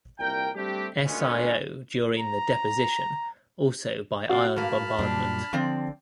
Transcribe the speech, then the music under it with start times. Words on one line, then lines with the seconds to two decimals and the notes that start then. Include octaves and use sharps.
SiO during the deposition also by ion bombardment.
0.19 C2 A#2 A#4 G5
0.56 G3 A3 C4 D4 G4
1.06 D2 A#2 D#3 G#3 B3 C#4
2.19 A#5
4.29 C3 F#4 D5 F5
4.56 G2 A#3 A5 B5 F6
4.99 F#2 A#2 G3 D4
5.53 D3 F3 C4 D5